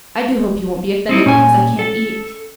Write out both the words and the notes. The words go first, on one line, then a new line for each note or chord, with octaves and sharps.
I do hope you won't be offended because I can't eat.
C4 D#4 E4
A#2 C#4 G#5
A4